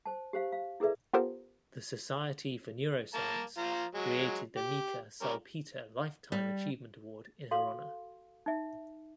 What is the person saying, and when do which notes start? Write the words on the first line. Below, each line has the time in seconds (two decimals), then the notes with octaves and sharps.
The Society for Neuroscience created the Mika Salpeter Lifetime Achievement Award in her honour.
0.06 C5 A5
0.33 G4 C5 F5
0.52 F5
0.80 E4 G#4 A4 B4 D5 E5
1.13 B3 F4 G4 A4 A#4 C5
3.14 A#3 A5 A#5
3.58 F3 F4 A#5
3.95 F#3 G#3
4.57 G4
5.22 G3 C#4 A#4
6.32 G3
7.51 F#4 A4 F5 C6
8.46 D#4 E5